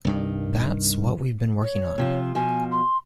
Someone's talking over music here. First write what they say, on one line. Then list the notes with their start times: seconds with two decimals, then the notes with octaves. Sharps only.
That's what we've been working on.
0.05 C2 G2 D#3
1.62 C#5
1.98 C3 F3 F4
2.35 B2 F3 G#5
2.71 C6